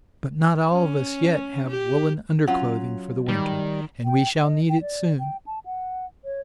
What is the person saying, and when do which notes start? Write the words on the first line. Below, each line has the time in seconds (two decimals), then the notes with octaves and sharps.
But not all of us yet have woollen underclothing for the winter, and we shall need it soon.
0.71 C#4
1.68 G4
2.48 F#3 C#4 F4 F#5
3.29 D#3 G3
4.05 G5
4.42 D#5
4.69 G5
4.81 D5
5.19 G5
5.46 A5
5.65 F#5
6.25 C#5